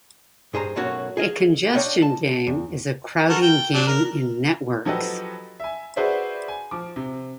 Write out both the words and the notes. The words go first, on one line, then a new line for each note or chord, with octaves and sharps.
A congestion game is a crowding game in networks.
G2 G#4 C5 A#5
B1 A3 A#3 C#4 F#4 C#5
G#4 D#5 F5
D4 C#5 D#5 F5 G5
A5
E2
F#4 A4 A#4
G5
F#3 D4
A#4
F3 F#3 G4 A4 B4 D#5
E5 G#5
F#4 G#4 B4 C5 D5 E5
G#5
F3 D6
C3